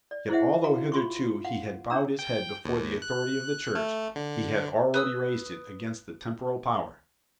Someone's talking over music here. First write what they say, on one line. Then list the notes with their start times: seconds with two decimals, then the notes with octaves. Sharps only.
Yet, although hitherto he had bowed his head before the authority of the Church, he had already raised it against the temporal power.
0.11 D5
0.29 E4 G#4 C5 D#5 E5 F#5
0.64 F#4 F5 A#5
0.92 F4 C6 C#6
1.45 F5 F#5
1.90 C#4 D4 A#5 E6
2.19 G5
2.65 D#2
3.02 F#6
3.75 A3
4.16 D3
4.94 B4 D#6 E6